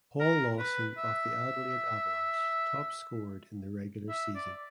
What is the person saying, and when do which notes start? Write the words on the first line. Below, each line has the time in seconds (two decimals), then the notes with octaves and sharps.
Paul Lawson of the Adelaide Avalanche top scored in the regular season.
0.20 A#4
0.59 B4
0.98 E5
4.09 E5
4.35 D5